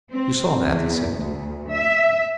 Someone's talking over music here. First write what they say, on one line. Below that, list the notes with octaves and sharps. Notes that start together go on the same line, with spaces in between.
"You saw that?" he said.
C4
E2
D2
E5